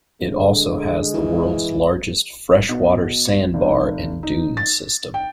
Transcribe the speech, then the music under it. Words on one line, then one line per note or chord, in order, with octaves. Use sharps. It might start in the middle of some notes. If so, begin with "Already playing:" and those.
It also has the world's largest fresh water sand bar and dune system.
D3 G#3
E3
B2
F1
D#4
A6
G5